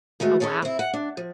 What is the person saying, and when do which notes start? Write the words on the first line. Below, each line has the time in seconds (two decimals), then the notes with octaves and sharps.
Oh wow.
0.20 D#3 G#3 A3 F#4
0.40 C#4 D4 G#4 A4 C#5
0.62 C4 E4
0.79 F#5
0.93 D4
1.17 F3